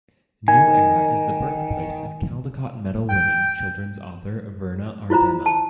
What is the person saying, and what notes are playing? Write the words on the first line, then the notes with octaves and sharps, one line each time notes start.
New Era is the birthplace of Caldecott Medal-winning children's author Verna Aardema.
D#3 G#5
G5
E4 F4 C5 A#5
A5